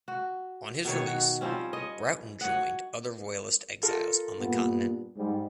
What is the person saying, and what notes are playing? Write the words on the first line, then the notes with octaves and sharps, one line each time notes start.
On his release Broughton joined other Royalist exiles on the Continent.
F#4
B2 D#3 C#5
F#4
F3 G3 C4 C#4
C#5 D#5
F#4 C#5 D#5 F#5
F4 A4 A#4
G2 A#2 B3
G#2 G3